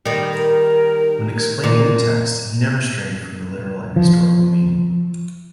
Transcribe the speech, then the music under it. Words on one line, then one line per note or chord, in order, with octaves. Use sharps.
When explaining the text, he never strayed from the literal and historical meaning.
D#3 G3
A#4
A#2
F3